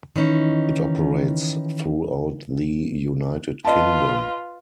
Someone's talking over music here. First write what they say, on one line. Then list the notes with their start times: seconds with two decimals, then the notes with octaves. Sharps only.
It operates throughout the United Kingdom.
0.16 D#3 E3 C#4 D#4
3.65 F4 B4 D#5 A5